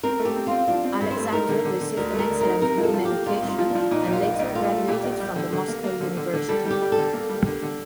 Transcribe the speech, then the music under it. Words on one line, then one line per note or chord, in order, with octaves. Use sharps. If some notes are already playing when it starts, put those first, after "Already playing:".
Alexander received an excellent home education and later graduated from the Moscow University.
C4 A#4
A3
G4
C4
C4 F4
F3 D4
C4
G2
C5
A3
D#4 A#4
D3
D3
D3
D2 A#4
A3
A#4
D2
D#4 A#4
C3 A#4
F3
A4
F3
G4
A#3
C2 F4
C2
F4
F3
D4
F3
A#2 D#4
A#1
F4
A#1
D#4
A#1
A3 F4
A3
A#2 G4
A#1
G3
D3
D3
A#3
A#3
D3
D3
D3
G3 A4
G3
G4
G3
A4
D3
A#3
G3
D3
D3